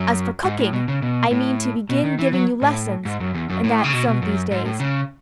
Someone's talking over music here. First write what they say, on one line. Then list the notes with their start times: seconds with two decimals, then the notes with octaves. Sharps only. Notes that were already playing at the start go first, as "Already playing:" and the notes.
As for cooking, I mean to begin giving you lessons in that some of these days.
Already playing: F#2
0.44 G#2
0.59 A2
0.73 B2
0.88 C#3
1.02 B2
1.31 A2
1.89 B2
2.04 D#3
2.19 E3
2.33 F#3
2.62 A2
3.05 G#2
3.20 F#2
3.34 E2
3.50 F#2
3.64 A2
3.84 C#3
3.93 B2
4.08 B2
4.22 F#2
4.51 G#2
4.65 A2
4.80 C#3